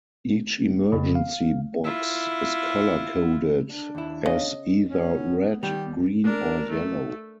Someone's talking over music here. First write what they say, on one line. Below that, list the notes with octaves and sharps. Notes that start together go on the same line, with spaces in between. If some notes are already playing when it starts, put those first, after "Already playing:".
Each emergency box is color coded as either red, green, or yellow.
F2 C#3
F5
E4 F4
D4
D#2 E4
C#3 D#5
B3 C#4
D#3 G3 G4
D4 A#4
A3